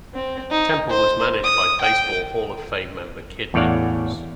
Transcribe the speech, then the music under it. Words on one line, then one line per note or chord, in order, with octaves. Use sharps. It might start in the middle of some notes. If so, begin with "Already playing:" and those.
Temple was managed by Baseball Hall of Fame member Kid Nichols.
C4
D#4
C5
D#6
G5
E2 A2 C#5 D5 F5 F#5